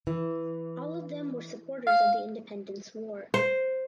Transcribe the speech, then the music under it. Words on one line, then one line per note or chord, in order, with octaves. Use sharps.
All of them were supporters of the Independence War.
E3
F5
C5